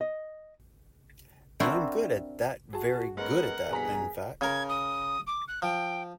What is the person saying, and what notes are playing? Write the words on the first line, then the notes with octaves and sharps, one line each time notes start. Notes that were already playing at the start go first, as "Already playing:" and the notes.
And I'm good at that-very good at that, in fac.
D#5
C4 D4 E4 F#4 A#4 C5
F#4 G#4 A5
G#3 B3 C#4 A#4 B4 D#5 F#5
A#1 E2 G2 B2 G#4 A#5 B6
C#3 A#4 G#6
D#6
D6
F#6
F3 G5